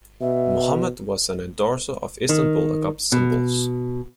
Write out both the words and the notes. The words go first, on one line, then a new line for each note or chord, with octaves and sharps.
Muhammad was an endorser of Istanbul Agop Cymbals.
B2 E5
D#3
B2